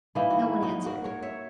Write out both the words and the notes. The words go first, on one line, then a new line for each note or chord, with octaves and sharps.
No one answered.
E3 A#3 D#4 E4
F#4
E4
D#4 F#4
F#4 A#4
A#4 C#5
C#5 E5